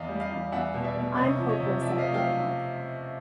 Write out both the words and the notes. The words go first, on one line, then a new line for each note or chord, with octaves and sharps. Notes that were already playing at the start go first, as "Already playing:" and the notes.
I'm hopeless at a game like that.
Already playing: E2 D#5 F5
G3
D#5 F5
E2
E2 E5 F#5
B2
D5 E5
B2
C3 C#5 D#5
F3
C#5 D#5
C3
F3 D5 E5
D#5 F5
A3
F5 G5